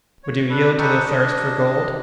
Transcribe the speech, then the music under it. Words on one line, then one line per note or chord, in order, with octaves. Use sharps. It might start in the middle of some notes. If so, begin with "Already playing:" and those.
Would you yield to the thirst for gold?
C#5
D4 A4 B4 B5
D#4 G4 A4 B4 C#6
D4 D#5